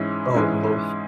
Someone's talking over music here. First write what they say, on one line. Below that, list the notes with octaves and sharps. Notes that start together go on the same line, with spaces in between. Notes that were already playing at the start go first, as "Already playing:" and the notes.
Oh, hello.
Already playing: G#2 E3 G#3 C#4 E4
G#2 E3 G#3 C#4 E4